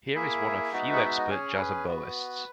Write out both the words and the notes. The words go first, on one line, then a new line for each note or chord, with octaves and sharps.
He is one of few expert jazz oboists.
A#3 E4 G#4 E5
G#3 B3 D#4 F#4
F#5
E5
D#5
C#4 G#4 C#5
A#4
B4
B3 F#4